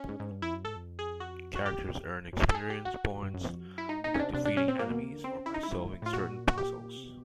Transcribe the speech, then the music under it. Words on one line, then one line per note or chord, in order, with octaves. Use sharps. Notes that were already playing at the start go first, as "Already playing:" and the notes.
Characters earn experience points by defeating enemies or by solving certain puzzles.
Already playing: C#4
G#2
G#2
G2
F2 E4
F#2
G#2 A4
F2
G#4
F#4
F#4
E2 G4
F#2
A4
G#4
G4
F#4
G2
F#2
F2
F#2
E4
G2 D#4
A2 D#4
A#2 C#4
C3 D4
C3 D4
B2 D4
C#4
A#2 C4
A#2 A#3
B2
C3
D3
C#3 C4
E4
D#4
G2 E4
G#2
A2
A2 F4
A#2 F#4
F#4
G4
C3
B2